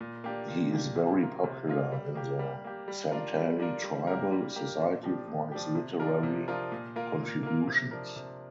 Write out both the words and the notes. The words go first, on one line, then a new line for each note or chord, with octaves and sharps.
He is very popular in the Santali tribal society for his literary contributions.
A#2
A#3 D4 G4
A#2
A#3 D4 G4
C3
A#3 F4 A#4
C3
A#3 F4 A#4
G3
A#3 G4
G3
A#3 G4
G3
D4 F4 A#4
G3
D4 F4 A#4
G3
A#3 G4 A#4
G3
A#3 G4 A#4
A#2
F3 D4 G4
A#2
F3 D4 G4
C3
F3 D4 F4 A#4
C3
F3 D4 F4 A#4
A#2
A#3 F4 A#4
A#2
A#3 F4 A#4
C3
F3 D4 A#4
C3